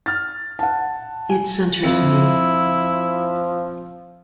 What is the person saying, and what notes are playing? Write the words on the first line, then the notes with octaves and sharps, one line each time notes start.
It centers me.
F6 A6
F#5 A5
G#5
F2 F3 E4